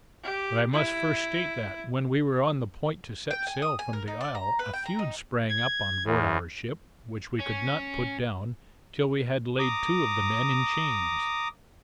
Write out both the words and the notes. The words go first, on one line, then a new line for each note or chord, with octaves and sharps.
But I must first state that, when we were on the point to set sail from the isle, a feud sprang up on board our ship, which we could not put down, till we had laid two of the men in chains.
G4
E4
G5
G#5
D#6
G#5
A#4
D#4
D5
A#5
B4
G5
A#5
D#4
G#6
E2
C#4
A#5 D6 D#6